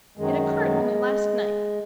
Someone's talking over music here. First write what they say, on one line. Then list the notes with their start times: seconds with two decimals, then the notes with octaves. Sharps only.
It occurred only last night.
0.18 F#2 D#3 F#3 G#3